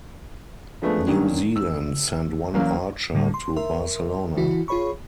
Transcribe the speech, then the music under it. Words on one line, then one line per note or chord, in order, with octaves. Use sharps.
New Zealand sent one archer to Barcelona.
F3 G#3 A3 B3 D4
D3 D#3 F#3 A#3 C#4 D4
E6
E2 C#3 F#3 A#3 F5
A2 D3 G3
C6
A#4 E5 C6
E3 E4 F#4
F4 G#4 C#5 B5 C#6